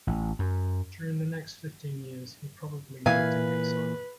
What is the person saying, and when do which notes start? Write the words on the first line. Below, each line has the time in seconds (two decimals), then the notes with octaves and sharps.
During the next fifteen years he probably lived in exile.
0.07 A1
0.39 F#2
3.06 A#2 E3 B4 E5 F5 G#5